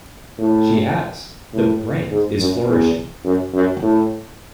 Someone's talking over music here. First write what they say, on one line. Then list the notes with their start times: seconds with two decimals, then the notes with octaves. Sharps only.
She has: The brand is flourishing.
0.39 A2
1.54 A2
2.11 G#2
2.40 F#2
2.68 E2
3.25 F#2
3.54 F#2
3.82 A2